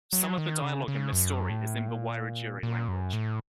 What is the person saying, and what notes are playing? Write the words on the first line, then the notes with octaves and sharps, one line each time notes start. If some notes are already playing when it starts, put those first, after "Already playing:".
Some of the dialogue in this story is in the Wiradjuri language.
F#3
D#3
C#3
C#3
F#2
A2
A#2
A#2
F#2
A2